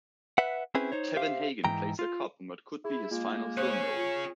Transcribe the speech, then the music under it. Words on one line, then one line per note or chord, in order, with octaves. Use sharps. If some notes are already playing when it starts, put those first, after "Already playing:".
Kevin Hagen plays a cop in what would be his final film role.
B4 E5 F#5
C4 C#4 E4 G#4 B4 C5
D#4 C5 C#5
G4 C5 E5 F5
G#2 E3 G5 A#5
F4
E4 G#4
G#3 A#3 F4
C#4 G#4 C5 C#5 F#6
F4